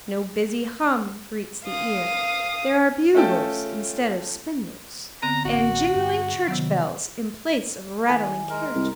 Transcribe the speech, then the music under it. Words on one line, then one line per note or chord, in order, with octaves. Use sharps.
No busy hum greets the ear; there are bugles instead of spindles, and jingling church bells in place of rattling carriages.
F5 D#6
A3 C#4 F4 A4 G5 A5
D3 B3 C4 A#5
A1 F#4 F#5
G2
C3 D#3 F#3 B3
D#3 E4 G#5
G#3 A#4
C2